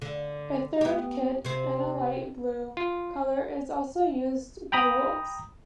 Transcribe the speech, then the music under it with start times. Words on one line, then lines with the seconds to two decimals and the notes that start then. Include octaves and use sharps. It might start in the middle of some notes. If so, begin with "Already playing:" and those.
A third kit in a light blue colour is also used by Wolves.
0.02 D3
0.81 B3 G4
1.45 C3 C4
2.77 F4
4.72 G5 A#5 B5 D#6